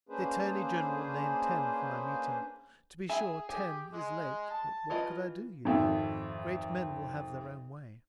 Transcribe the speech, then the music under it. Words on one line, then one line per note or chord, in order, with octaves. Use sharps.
"The attorney-general named ten for my meeting; to be sure ten is late, but what could I do, you know? Great men will have their own way."
A#3 C#4 D4 G#4 B4 C5
G#4 E5 G#5 B5
G4 G#4 G#5
G#3
A5
E3 F4 D#5
G#1 F2 E5